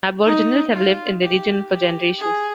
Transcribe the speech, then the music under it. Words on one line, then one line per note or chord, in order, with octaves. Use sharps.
Aboriginals have lived in the region for generations.
D#4
F4
G4
G4
G#4